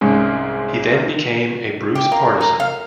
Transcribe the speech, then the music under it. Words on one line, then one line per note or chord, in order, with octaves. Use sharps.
He then became a Bruce partisan.
C2 G#2 G#3 C#4
G4
A#3
A#3
F5